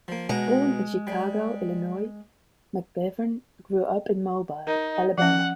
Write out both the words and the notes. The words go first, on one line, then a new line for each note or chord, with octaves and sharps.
Born in Chicago, Illinois, McGivern grew up in Mobile, Alabama.
F3 A#3
B2 G#3 F#5 A#5
G3
D#4 A#4
F3 C#4 F#5